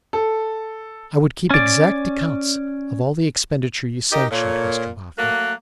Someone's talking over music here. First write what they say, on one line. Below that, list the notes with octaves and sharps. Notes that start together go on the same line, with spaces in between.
'I would keep exact accounts of all the expenditure you sanctioned, Mr Boffin.
A4
C#4 D5
D#4 G4 A#4 D#5 G5
A#2 A4 C#5
F#3 A3 A#3 F#6